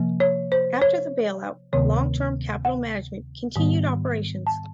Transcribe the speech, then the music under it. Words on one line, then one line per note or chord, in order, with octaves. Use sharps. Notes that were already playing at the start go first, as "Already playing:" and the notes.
After the bailout, Long-Term Capital Management continued operations.
Already playing: C3 F3 A#3
C#5
C5
C#5
D2 C3 D#3 G#3 B3 C#5
F#5
G#2 D#3 G3 B3
A5